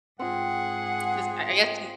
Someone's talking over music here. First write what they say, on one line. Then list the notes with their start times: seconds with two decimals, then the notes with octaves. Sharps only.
'Cause I I guess he
0.19 G#2 C4 F4 G#4 F#5